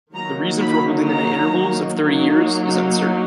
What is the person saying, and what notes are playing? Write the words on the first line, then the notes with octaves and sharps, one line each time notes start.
The reason for holding them at intervals of thirty years is uncertain.
D#3 F#3 A#3 D#4 A#5
B5
A#5
F#3 A#3 D#4